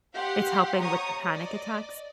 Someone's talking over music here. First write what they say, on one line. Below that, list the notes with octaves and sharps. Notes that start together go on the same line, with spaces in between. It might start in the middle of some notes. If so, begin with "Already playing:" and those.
It's helping with the panic attacks?
G4 F5 F#5 C6
C#5 A#5 C#6 D#6
D5 D#5